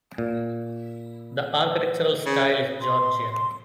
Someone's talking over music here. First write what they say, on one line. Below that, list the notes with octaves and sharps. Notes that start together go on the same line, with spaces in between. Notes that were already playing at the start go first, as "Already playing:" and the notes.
The architectural style is Georgian.
A#2
C#3
C6